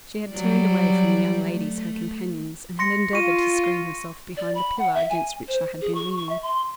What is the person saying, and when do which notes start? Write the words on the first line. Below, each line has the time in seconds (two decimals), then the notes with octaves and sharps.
She had turned away from the young ladies her companions, and had endeavoured to screen herself behind the pillar against which I had been leaning.
0.31 F#3 G3 D5
1.50 A3
2.79 C6 A#6 C#7
3.13 F4 C#6 D#7
4.37 D5
4.55 B5
4.79 F#5
4.94 E5
5.10 G#5
5.48 C5
5.82 G#4
5.95 C#6
6.16 C#6
6.29 E5
6.43 C6